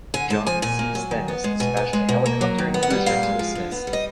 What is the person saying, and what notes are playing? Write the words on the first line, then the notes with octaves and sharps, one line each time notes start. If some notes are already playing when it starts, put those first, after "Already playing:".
"John C. Stennis" dispatched a helicopter and cruiser to assist.
D3 G#5
G#3 A5
F3 G#5
A#2 G#5
A#3
F#3
D#3
B3
G#3
B2 G#5
B3
G#3
B2
A#3
F#3
D#3
B3
F#5
G3
A#2 F5
G#3
F3
D3
B3
G3
D#5